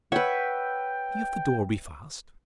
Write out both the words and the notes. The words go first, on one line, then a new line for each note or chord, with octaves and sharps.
See if the door be fast.
B4 C#5 E5 F#5 G5